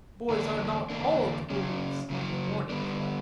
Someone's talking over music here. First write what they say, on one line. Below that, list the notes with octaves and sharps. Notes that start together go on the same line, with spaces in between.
Boys are not ALL toadies in the morning of life.
E2 D3 A#3 D4
E2 D3 A#3 D4
C#3 F#3 C#4
C#3 F#3 C#4
D3 G3 B3 D4